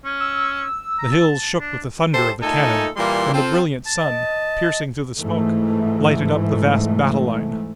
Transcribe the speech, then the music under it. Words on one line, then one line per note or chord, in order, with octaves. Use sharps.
The hills shook with the thunder of the cannon, and the brilliant sun, piercing through the smoke, lighted up the vast battle line.
C#4
E6
A#5
A5
D4
E3 G4 A4 C5 A5
A#2 A3 D#4 A4 G#5 A5
A#2 E3 G3 A#3 E4 C6
C4 F4 A4
A5
D#5
G#2 E3 A3